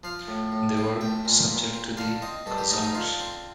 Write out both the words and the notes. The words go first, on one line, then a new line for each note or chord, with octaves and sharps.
They were subject to the Khazars.
F3 F5
A2
A2
C4
A3 G5
A#2
A#2
C4
D3 F5
C4 D#5
G2 A4
G4
A3 D#4
D#4
D3 F4
C4